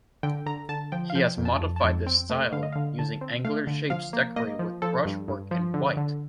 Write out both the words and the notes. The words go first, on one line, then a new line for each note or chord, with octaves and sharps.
He has modified this style, using angular shapes decorated with brushwork in white.
D3 G5
D3 A#5
D3 A5
F3 G5
F5
F3 G5
F2
A5
F2
A5
F2
C4 G5
A3
D3 F5
D#5
D3 F5
D3 A5
C4
A3 F5
D3
F3 F5
A#3
A#3 D#5
F3
F3 A4
G2
G2
F3
D3
D3